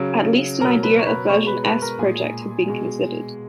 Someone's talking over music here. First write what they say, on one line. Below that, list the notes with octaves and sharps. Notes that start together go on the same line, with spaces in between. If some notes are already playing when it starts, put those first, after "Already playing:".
At least an idea of version "S" project had been considered.
Already playing: C#3 F#3
B2 F#3 A#4 A#5
B4 B5
C#6
B4 B5
B2 G#3 C#5 C#6
B4 B5
B4 B5
A#4 A#5
A#2 G#3 G#4 G#5
B2 G#3